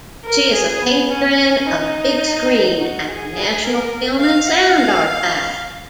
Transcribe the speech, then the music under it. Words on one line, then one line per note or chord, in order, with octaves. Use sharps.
She is a patron of "Big Screen" at the National Film and Sound Archive.
A#4
G#4
B3
C#4
D#4
F#4
G#4
A#4
F5
F#5
F5